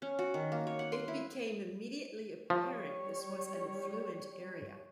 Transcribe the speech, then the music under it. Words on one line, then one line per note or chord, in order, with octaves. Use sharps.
It became immediately apparent this was an affluent area.
C#4
F#4
D#3
A#3
C#5
F#5
C6
E4
F3 G3 C#5